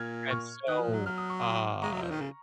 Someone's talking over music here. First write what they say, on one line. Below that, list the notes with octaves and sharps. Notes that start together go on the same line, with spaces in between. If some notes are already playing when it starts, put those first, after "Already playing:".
And so, uh,
Already playing: A#2 F6 G#6
C#6 F6
D#3 D#6 F#6
F3
F#3
F#3 F6
D#6
C#6
C6 D#6
G#3 A#5 C#6
F#3
F3
D#3
C#3